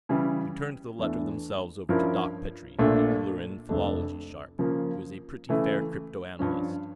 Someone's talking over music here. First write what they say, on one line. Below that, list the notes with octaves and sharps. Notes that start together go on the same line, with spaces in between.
We turned the letters themselves over to Doc Petrie, the Ulleran philology sharp, who is a pretty fair cryptanalyst.
C#3 E3 G3
E2 E3 A3 D4 A4
G2 F3 C#4 E4 A#4
A#1 A#2 A3 D4
F1 F2 D3 A3 D4
C#3 F3 A#3
C#3 E3 A3
G2 F3 C#4